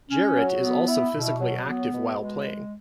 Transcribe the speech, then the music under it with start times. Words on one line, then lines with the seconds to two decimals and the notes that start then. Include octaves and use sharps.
Jarrett is also physically active while playing.
0.10 C#4
0.36 F#3
0.62 B3
0.88 E4
1.14 B2
1.40 F#3
1.66 B3
1.93 B2
2.18 G#3